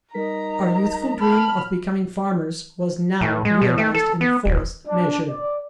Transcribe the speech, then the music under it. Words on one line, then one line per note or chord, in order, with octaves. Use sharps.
OUR youthful dream of becoming farmers was now realized in fullest measure.
G3 D#4 A#4 A#5 B6
A5 B5 F6
A2
G#3
B2
A3
A4
B3
D#1
D4
D5